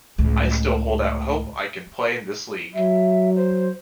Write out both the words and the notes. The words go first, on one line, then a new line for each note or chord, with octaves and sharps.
I still hold out hope I can play in this league.
C#2 A2
F#3 E5
C5